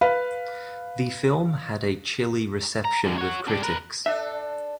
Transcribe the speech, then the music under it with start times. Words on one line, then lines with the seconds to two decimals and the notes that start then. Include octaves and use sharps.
The film had a chilly reception with critics.
0.01 B4 F5
2.85 A#5
3.05 F#2 D3
3.18 F#4 C#5
3.48 D4 G4
3.63 A#4 B4
4.06 D4 A4 E5